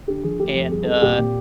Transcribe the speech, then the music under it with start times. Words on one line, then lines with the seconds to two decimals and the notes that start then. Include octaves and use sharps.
and, uh,
0.08 D3 G4
0.23 F3 G#4
0.39 A3 G4
0.55 F2
0.71 G3 G#4
0.84 C4 A4
0.94 G#4
1.02 A#2 G4
1.19 A#2